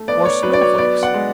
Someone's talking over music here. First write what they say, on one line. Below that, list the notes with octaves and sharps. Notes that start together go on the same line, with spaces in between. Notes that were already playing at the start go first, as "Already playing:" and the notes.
Or snowflakes.
Already playing: A3
B3 D5
C#5
F#3 B4
D5
C#5
B3 D5
F#5
G#3